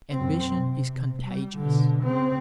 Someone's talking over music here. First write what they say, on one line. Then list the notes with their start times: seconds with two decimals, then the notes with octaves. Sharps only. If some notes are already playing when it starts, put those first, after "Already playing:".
Ambition is contagious.
0.12 F#2 C4
0.54 C3
1.26 G3
1.58 B2 D3
2.03 C#3 C4